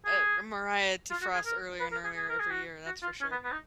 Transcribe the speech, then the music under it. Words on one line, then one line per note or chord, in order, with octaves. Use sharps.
eh uh, Mariah defrosts earlier and earlier every year, that's for sure.
G#4
F4
F#4
G#4
A#4
B4
A#4
G#4
G#4
A#4
G#4
F#4
F#4
F4
C#4
B3
B3
D#4